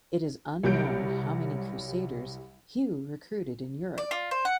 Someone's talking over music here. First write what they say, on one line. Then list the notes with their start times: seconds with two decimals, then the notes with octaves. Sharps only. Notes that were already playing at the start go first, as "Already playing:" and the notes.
It is unknown how many crusaders Hugh recruited in Europe.
0.63 C2 F#3 G3 G6 D7
3.98 D5
4.11 F4
4.31 C5
4.45 F#5